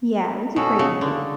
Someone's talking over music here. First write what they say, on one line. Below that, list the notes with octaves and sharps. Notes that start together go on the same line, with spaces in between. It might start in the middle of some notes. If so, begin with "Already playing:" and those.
Yeah, it was a great movie.
B2 C#4 F#4 A4
C#3
D3